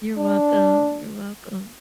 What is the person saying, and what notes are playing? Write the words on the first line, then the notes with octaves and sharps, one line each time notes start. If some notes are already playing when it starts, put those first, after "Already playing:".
You're welcome. You're welcome.
D4